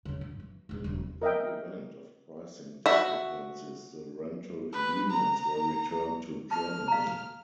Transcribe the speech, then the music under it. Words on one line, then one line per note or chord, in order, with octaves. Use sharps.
In the event of pricing discrepancies, the rental agreements were returned to Germany.
E2 C#3
G2
E3
E1 B2
E1 C#3
A#4 D#5 E5 G5
F#4 E5
B4
A#5
A5 F6
F5 A#5